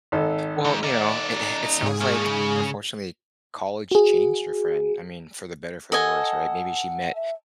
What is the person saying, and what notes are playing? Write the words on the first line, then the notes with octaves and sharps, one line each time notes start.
Well, you know, it it it sounds like, unfortunately, college changed your friend. I mean, for the better, for the worse, right, maybe she met
G#1 A4
G#2
D#4 D5
G#2 G#4
A2 A#3
C#3
F#4 G#4
A4 D#5 F#5 G#5
E5